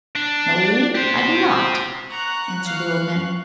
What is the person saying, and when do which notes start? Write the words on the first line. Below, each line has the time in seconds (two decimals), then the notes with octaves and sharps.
'No, I do not,' answered the old man.
0.15 D4
0.95 G4 C5
2.08 F#5 A#5 C#6 F#6
2.65 F5